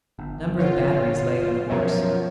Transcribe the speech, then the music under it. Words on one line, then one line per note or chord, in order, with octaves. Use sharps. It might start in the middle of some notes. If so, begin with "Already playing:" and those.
A number of batteries lay unhorsed.
G1
F4 C#5 F#5
F#2 B2 F3 A#4 C#5 E5